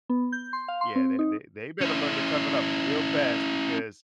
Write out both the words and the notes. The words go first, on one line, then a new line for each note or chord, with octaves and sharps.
"Yeah, they they they better learn to toughen up real fast because,
B3
G6
C6
F5
C6
C4
D#4
C#4 E4